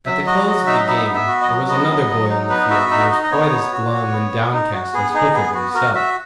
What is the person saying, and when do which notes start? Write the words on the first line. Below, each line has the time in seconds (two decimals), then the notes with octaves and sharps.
At the close of the game there was another boy on the field who was quite as glum and downcast as Hooker himself.
0.06 F#3 E5
0.26 F#4 D#5
0.47 F#3 D#5
0.66 D#4 E5
0.77 D#5
0.87 B3 E5
1.07 B3
1.14 E5
1.27 F#4
1.42 D#5
1.48 F#3
1.68 B3 D#5
1.89 F#3
2.09 F#3
2.29 D#4
2.49 B3 B4
2.70 F#4 E5
2.90 D#4 E5
3.11 D#4 D#5
3.23 D#5
3.31 B3 C#5
3.51 B3
3.71 F#4
3.92 F#4
4.12 B3
4.32 B3
4.53 D#4
4.72 F#4
4.93 B3 G#4
5.14 D#4 G#4
5.33 B3 G#4
5.55 B3 F#4
5.74 F#4 A#4
5.95 F#4 E5